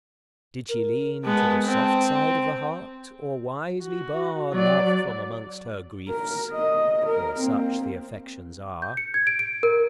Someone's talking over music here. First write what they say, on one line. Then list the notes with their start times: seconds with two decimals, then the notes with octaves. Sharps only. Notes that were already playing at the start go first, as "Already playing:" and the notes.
Did she lean To the soft side of the heart, or wisely bar Love from amongst her griefs?--for such the affections are.
0.69 A#4
1.24 G#3 B3 A5
1.65 C4
3.83 F#4
4.52 F#3 D5
6.09 A#4
6.53 D#5
7.06 A#4
7.39 A#3 C4
8.82 G6
8.97 C#7
9.14 G#6
9.27 D7
9.39 D7
9.63 A#4